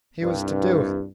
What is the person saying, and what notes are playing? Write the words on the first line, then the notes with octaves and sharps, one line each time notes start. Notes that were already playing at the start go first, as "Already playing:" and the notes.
He was to do it.
C2 G2